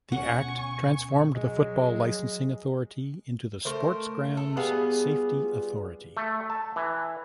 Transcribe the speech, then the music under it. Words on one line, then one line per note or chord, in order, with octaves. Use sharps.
The Act transformed the Football Licensing Authority into the Sports Grounds Safety Authority.
D2 B2 C#4 F#5 G#5 C#6
F#3 G#3
A3 A#4 C5
A3
G3 B3 F4 G#4
A3
A5
E3